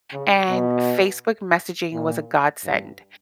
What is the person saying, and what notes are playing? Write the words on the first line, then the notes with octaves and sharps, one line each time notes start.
and Facebook messaging was a godsend,
C#3
B2
A#2
G2